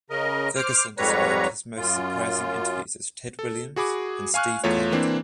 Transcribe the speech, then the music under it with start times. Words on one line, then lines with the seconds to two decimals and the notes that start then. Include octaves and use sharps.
Ferguson described his most surprising interviews as Ted Williams and Steve Carlton.
0.10 C#3 A#4 D#5
0.56 C5 D6 F6
0.98 F2 G#2 G3 B4 C#5 A#5
1.77 F#2 F4
3.39 A4
3.76 F#4 G#4 B5 D6
4.34 F5 G#5 C#6 F6 F#6
4.64 E2 A3 F4 C#5
4.92 E3 A#3 C4 D4